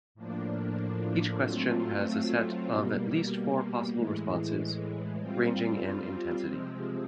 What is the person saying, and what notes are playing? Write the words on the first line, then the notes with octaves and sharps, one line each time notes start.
Each question has a set of at least four possible responses, ranging in intensity.
A2 F3 A#3 D4
F#3 A3 C4 F4
B2 G3 A#3
A2 E3 G#3
G3 C4 F4
C3 F3 G#3 C4